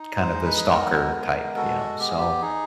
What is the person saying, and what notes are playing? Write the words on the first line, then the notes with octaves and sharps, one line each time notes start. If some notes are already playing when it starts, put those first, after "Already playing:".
kind of the stalker type, you know? So,
Already playing: D#4
C5
G#3
B4
G#4
A4
B3 A#4
G#3
F#4 A4
B3 G4
G#4
G4
D#4 G#4